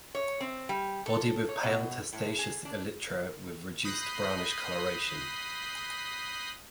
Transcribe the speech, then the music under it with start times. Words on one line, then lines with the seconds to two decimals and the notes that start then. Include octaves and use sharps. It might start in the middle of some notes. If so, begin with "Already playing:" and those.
Body with pale testaceous elytra with reduced brownish coloration.
0.15 C#5
0.40 C4
0.69 G3
1.06 A4
1.49 C#5
1.63 B2
2.13 A2
2.39 G#4
2.65 D4
3.85 B5 D#6 F#6 G6 A#6 C7